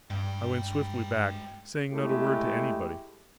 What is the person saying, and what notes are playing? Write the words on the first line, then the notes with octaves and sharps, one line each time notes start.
I went swiftly back, saying not a word to anybody.
G2 G#3 G5
G#3 A3 E4 G4